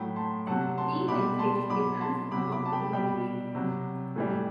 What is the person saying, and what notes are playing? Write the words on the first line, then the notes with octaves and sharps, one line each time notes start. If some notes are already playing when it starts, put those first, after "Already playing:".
The team encouraged their fans to come up with a nickname.
Already playing: A2 F#3 G5 B5
A5 C6
C3 F#3 F#5 A5
A5 C6
B2 G3 B5 D6
A5 C6
B2 F#3 B5 D6
A5 C6
C3 F#3 B5 D6
B5 D6
A5
G5 B5
B2 G3 G5 B5
C3 F#3
A2 E3 G3